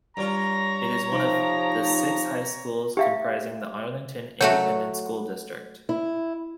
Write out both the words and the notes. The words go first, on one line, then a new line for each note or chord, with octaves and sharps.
It is one of the six high schools comprising the Arlington Independent School District.
G2 F4 C#5 A#5
C3 F3 D#4
G4 E5 F5
F#3 A3 F#4 C#5
E4